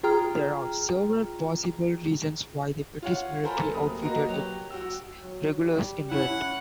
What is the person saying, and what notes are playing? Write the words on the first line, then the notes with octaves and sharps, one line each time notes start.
There are several possible reasons why the British military outfitted its Regulars in red.
F4 G#4 G5 A#5 F6
F4 C#5 F#5
A4 A#4 C5 G#5 A#5 B5
D1 A#3 G4 D#6
A#3 F#4 B4 D#5 A#5
F#3 G4
F#4 G5 E6
F#3
G3
C#4 E4 F#5